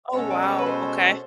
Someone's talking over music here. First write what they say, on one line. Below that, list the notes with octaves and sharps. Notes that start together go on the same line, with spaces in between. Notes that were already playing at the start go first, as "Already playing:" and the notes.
Oh, wow. Okay.
B2 G#3 C#4 F#4 A4 C#5
D5
D5
C#5
B4
C5